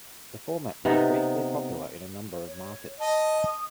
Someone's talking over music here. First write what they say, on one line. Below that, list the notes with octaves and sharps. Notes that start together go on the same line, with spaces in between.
The format was briefly popular in a number of markets.
C3 B3 D#4 A4
C#5
D#5 A5
D#6